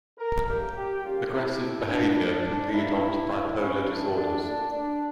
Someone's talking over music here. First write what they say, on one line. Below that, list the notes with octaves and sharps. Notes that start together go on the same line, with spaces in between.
Aggressive behaviour can lead onto bipolar disorders.
A#4
A2 G3 A#3 G4
G4
C#3 G3 A#3 F4
E4
A#2 A3
D4
D3 A3 D4
D4
A2 G3 A#3 E4
C#3 E3 A#3
C#4
A2 E3 G3 D4
D4
A#2 A3 D4
D4